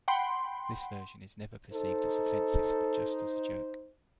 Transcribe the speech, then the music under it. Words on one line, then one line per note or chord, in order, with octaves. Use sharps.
This version is never perceived as offensive, but just as a joke.
F#5 G5 B5 C6
D#4 A4 C5